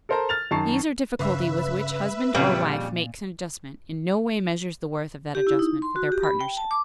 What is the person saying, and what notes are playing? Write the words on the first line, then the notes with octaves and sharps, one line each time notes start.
The ease or difficulty with which husband or wife makes an adjustment in no way measures the worth of that adjustment for their partnership.
A4 A#4 C5 A5 A#5
F6 A6 F7
F#2 D#3 A5 C#6 C7
G2 C#3 B4 E5
F2 A#2 C#3 G3 D#5
G4
E4
D#4
C6
F#4
G4
B5
G5
A5
D6